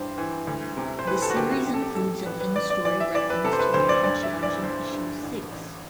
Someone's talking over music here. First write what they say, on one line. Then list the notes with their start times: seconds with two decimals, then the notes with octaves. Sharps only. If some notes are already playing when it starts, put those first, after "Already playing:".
The series includes an in-story reference to the name change in issue six.
Already playing: G2 E3 G4 C5
0.18 E3
0.47 D2
0.77 C3
0.99 C5
1.07 E3 B4
1.22 A4
1.30 F#4
1.36 D2 G4
1.51 F#4
1.66 A1 G4
1.74 A4
1.82 G4
1.95 A1 A4
2.26 A1 B4
2.40 B4
2.55 A1 D5
2.70 D5
2.85 E3 D5
3.00 E5
3.14 E3 D5
3.30 B4
3.44 C3 A4
3.53 C5
3.59 B4
3.74 D2 C5
3.89 D5
4.03 G2 D5
4.23 E5
4.33 E3
4.43 D5
4.63 G1 C5
4.92 G2
5.23 A1
5.52 A1